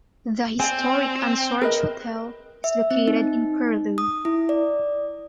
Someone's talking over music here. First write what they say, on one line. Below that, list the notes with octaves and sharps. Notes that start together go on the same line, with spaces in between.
The historic Ansorge Hotel is located in Curlew.
C4 D5 G#5
A#4 B4 D#5
E5
C4
D#4
D#6
E4
D5